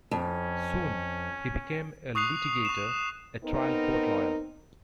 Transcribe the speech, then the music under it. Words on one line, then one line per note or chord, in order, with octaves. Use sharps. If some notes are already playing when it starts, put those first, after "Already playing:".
Soon, he became a litigator, a trial court lawyer.
F2 C#4
C#6 D#6 F#6 C7 F7
C#6 E7
B3 C4 D#4 A#4